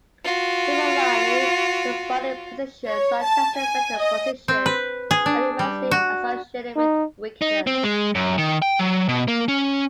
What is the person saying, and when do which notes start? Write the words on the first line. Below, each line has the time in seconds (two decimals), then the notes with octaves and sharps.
Similarly, some body positions, such as the fetal position, are universally associated with weakness.
0.23 F4 F#4
2.84 C#5
3.21 A5
3.55 G#5
4.00 D#5
4.48 C4
4.66 B4
5.11 G#4
5.26 D4
5.59 G3
5.91 F#4
6.76 D#4
7.42 D#4
7.67 C4
7.83 G#3
8.15 F#2
8.38 D#3
8.62 G5
8.79 F#3
9.09 B2
9.28 A#3
9.48 C#4